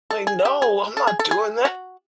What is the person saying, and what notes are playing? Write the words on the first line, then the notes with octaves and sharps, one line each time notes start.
Like, "No, I'm not doing that."
A4
G#4
G4
G#4
A4
G#4
A4
G#4
F#4